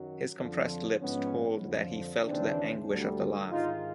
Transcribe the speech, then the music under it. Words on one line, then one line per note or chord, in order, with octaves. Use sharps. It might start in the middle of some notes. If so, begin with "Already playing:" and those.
His compressed lips told that he felt the anguish of the laugh.
Already playing: F#2 D#3 F#3
F2 D3 F3
G#2 F3 G#3 B3 C#4
F2 D3 F3
D#2 C#3 E3 C4 D4
D2 D3 G3
G#2 D#3 G#3 D#4 F4